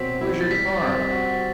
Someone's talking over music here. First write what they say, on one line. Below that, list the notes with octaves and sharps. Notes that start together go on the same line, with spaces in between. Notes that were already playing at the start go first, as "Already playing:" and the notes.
Where's your car?
Already playing: B2 F#3 C4 B6
E4
A6
G3 B6
C4
F#4